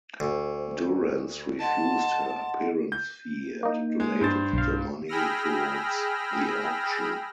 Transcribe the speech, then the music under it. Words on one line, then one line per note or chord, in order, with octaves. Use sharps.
Durance refused her appearance fee and donated the money towards the auction.
D2 C5
D#5 F#5 A5 C6
G6
A#3 D#4
G#3
G2 C5 A6
B1 F5
G#4 G5 B5 E6 F6 A#6